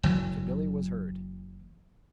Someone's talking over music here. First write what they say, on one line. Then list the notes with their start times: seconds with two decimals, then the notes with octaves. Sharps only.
So Billy was herd.
0.03 F#1 E3 F#3